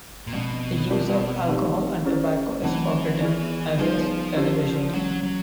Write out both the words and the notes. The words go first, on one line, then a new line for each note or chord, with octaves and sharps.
The use of alcohol and tobacco is forbidden, as is television.
A#2
B2 F3 G#3 C4
G3 C4 F4 A#4 D5
F3 A3 C4 D#4 G4
C#4 E4 G#4 C5
E3 F#3 A3 C4
B3 E4 G#4
F3 G3 B3 D#4 G#4 B4
C#4 E4 G4 C5
E3 F#3 G#3 C#4
F#3